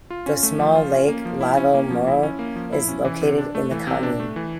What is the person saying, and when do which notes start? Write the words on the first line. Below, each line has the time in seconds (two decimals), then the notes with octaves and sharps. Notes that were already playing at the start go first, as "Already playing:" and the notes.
The small lake Lago Moro is located in the commune.
0.10 F4
0.26 C#4
0.43 A3
0.59 F3
0.76 F4
0.92 C#4
1.08 A#3
1.25 F3
1.41 E4
1.57 C#4
1.74 A#3
1.91 F3
2.07 E4
2.23 C#4
2.39 A#3
2.56 F3
2.73 E4
2.89 C#4
3.05 E3
3.21 C3
3.38 D4
3.55 A3
3.71 E3
3.87 C3
4.03 D4
4.20 A3
4.36 E3